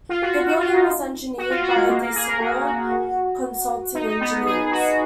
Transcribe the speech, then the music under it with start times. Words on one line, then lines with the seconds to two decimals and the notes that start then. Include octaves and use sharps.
The building was engineered by DeSimone Consulting Engineers.
0.09 F4
0.22 F#4
0.35 F#4
0.48 F#4
0.60 F4
0.73 D#4
1.38 F#4
1.50 F4
1.63 F#4
1.76 G#3
1.89 A#3
2.02 A#3
2.15 G#4
2.27 A#4
2.40 F#4
2.66 F#4
3.95 D#4
4.07 D#4
4.21 B3
4.46 G#4
4.71 F#4